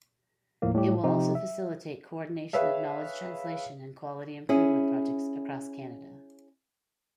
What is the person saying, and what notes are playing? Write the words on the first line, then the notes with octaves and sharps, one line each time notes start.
It will also facilitate coordination of knowledge translation and quality improvement projects across Canada.
D#2 A2 F3 A#3
A2 G3 G4
C3 F3 D#4 G4
E5
G#4 B4 C#5 E5 F5
C#4 E4 G#4